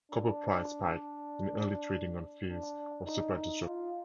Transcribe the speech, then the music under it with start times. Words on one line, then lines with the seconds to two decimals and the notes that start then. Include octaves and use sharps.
Copper prices spiked in early trading, on fears of supply disruption.
0.11 D4
2.47 D4
3.05 D#4
3.35 D#4
3.64 F4